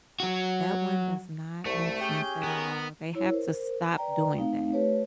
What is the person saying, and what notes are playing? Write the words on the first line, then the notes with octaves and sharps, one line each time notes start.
That one does not make sense at all, they have to stop doing that.
F#3 F#4
C2 A3 C#6
C#4 G4 G#4 G#5 G6
B3 A#4
E4 C#5
A#4 C5
B4 D5 G5 A#5
A3 C4 D#4 F5
A3 G4 B4 C#5